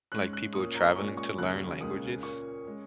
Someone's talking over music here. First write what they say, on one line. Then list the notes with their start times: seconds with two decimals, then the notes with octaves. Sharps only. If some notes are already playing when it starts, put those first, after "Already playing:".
Like, people traveling to learn languages.
0.12 G#2 G#3 C#4 F#6
0.33 F#6
0.53 A#2 A#3 C#4 D#6
0.75 A#5
0.96 A#2 G#3 C#4 C#6
1.17 C#6
1.38 D#2 C#3 F#3 C#4 F#6
1.80 C#2 C#3 A#3 C#4 D#6
2.23 A#2 A#3 C#4 C#6
2.65 G#3 C#4